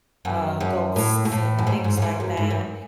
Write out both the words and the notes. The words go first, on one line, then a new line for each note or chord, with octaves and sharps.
uh, ghosts and things like that.
F#2
F#2
A2
B2
A2
F#2
G#2
G#2
F#2
G#2
F#2
G#2
F#2